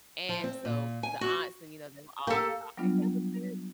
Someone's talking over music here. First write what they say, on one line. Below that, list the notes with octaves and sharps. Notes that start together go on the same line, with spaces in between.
and so the aunts and, you know, they were all talking, it was very
F3
C4
A#2
G#5
F#4
A#3 G4 A4
F#3 G3 B3 D4 F4